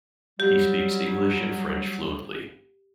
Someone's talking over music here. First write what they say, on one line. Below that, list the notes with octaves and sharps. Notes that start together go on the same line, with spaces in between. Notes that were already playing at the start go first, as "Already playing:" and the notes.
He speaks English and French fluently.
F#3 G3 G4